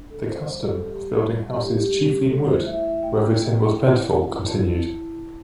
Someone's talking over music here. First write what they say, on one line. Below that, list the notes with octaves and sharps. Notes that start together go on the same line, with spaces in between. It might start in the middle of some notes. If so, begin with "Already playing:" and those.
The custom of building houses chiefly in wood wherever timber was plentiful continued.
Already playing: D4
G3 A4
C5
G3 C5
A4
G3 G4
G3
D4 G4
G4
G3
A3 A4
C5
E4 E5
E5
A3 G5
E4
E4
E4
E4 A5
E4
E4